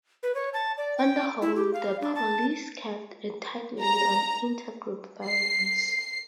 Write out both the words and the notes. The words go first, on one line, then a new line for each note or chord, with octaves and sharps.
On the whole, the police kept a tight lid on inter-group violence.
B4
C#5
A5
D5
G5
E4
G4
F5
D4
A5
A#5
C7